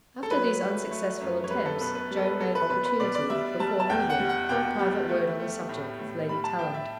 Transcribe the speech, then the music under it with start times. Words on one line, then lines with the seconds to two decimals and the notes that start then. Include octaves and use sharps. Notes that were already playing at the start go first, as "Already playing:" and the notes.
After these unsuccessful attempts, Joan made opportunity, before leaving, for a private word on the subject with Lady Tallant.
0.23 A4
0.31 F#3 B4
0.60 A3
0.91 A3
1.21 F#2
1.44 C#5
1.51 G3 B4
1.66 A4
1.80 B2 B4
1.95 B4
2.10 G3
2.17 A4
2.26 B4
2.40 G3 A4
2.55 B4
2.70 B2 B4
2.85 B4
3.00 B2 D5
3.15 D5
3.30 G3 E5
3.60 G3 A5
3.80 A5
3.90 E2 G5
4.10 F#5
4.20 G3
4.29 F#5
4.49 B2 G5
4.79 G3
5.09 A3
5.40 A3
5.69 A2
5.99 A2
6.29 G3 B5
6.44 A5
6.59 A2 G5
6.74 E5